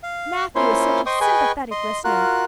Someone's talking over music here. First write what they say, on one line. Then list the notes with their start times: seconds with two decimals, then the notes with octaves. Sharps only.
Matthew is such a sympathetic listener.
0.03 F5
0.55 A#3 C#4 E4 F4 C5 C#5
1.06 C5 D#5 G5 C6 C#6 D#6
1.21 G#4 B4 D#5 G5 G#5 C#6
1.71 D#5 C6
2.05 F4 F#4 A#4 F#6